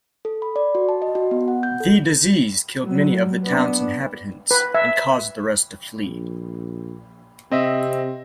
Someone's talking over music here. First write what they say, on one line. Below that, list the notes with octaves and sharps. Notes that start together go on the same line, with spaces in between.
The disease killed many of the town's inhabitants, and caused the rest to flee.
A4
B5
D5
F#4
A5
D#5
F#4
B3
F#5
G6
A4
F#3 G3
B3 D4
B4
E5
A#1
C3 C4 D#5 E5